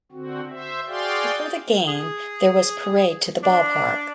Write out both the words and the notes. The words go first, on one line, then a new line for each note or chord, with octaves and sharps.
Before the game there was parade to the ballpark.
D3 C4 F#4
C5 E5
F#4 G#4 D5 F5 G5 C6
G#4
D4